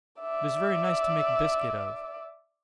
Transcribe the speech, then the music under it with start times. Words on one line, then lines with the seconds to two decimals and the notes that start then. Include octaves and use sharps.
It is very nice to make biscuit of.
0.21 D5 E5